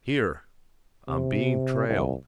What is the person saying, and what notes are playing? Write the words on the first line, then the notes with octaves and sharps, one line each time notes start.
"Here, I'm being trailed."
C3
C2